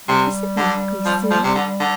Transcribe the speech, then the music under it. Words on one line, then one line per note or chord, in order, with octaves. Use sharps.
Is it likely, sir?
C3 G3
D3
F3
F3
C3
D3
D3